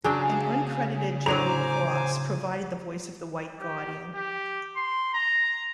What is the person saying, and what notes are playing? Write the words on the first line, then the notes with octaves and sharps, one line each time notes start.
An uncredited Gerald Cross provided the voice of the White Guardian.
C#3 F#3 D4 G#4 G5
A2 D3 F#3 C5 G#5 A#5 D6 F7
G4
G4
C6
A#5